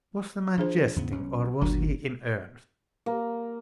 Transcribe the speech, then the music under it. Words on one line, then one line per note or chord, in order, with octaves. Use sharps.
Was the man jesting, or was he in earnest?
F3 D4 G#4 C5
E2 A2 C#3 B3
B1 C#4
G1 D2 A#2 D#3 F#3 D4
A#3